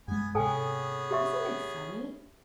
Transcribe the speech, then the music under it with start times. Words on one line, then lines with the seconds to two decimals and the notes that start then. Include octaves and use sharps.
Isn't it funny?'
0.08 G2 G#3 B3 G#5
0.35 G#2 C3 B3 C#4 G#4 A4 G5 G#5
1.11 G4 E5 C#6